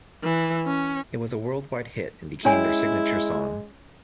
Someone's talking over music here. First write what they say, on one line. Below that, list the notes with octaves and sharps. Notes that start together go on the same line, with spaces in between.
It was a worldwide hit and became their signature song.
E3
C#4
G#3 C#4 E4 C#5 G#5